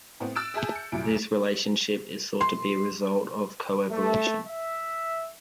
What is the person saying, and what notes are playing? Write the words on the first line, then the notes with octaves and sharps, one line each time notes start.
This relationship is thought to be a result of co-evolution.
A2 B3 C4
E6 F#6 A6 D7 E7
G#4 E5 G#5 A5 F#6 G6
C#7
F1 F#2 A#2 E4 D7
C6
A3
E5